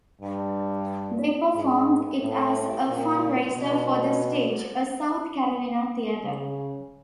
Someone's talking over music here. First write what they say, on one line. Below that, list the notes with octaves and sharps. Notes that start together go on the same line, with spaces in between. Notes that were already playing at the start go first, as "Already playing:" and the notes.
They performed it as a fundraiser for the Stage, a South Carolina theatre.
G2
G#2
A2
A#2
B2
C#3